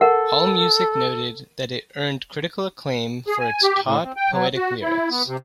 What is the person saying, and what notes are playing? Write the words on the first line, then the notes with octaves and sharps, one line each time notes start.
Allmusic noted that it "earned critical acclaim for its taut, poetic lyrics".
A4 A#4 F#5
G#4
G#5
G4
A2
C4
G5
F#3
F#4
E4
B3
C3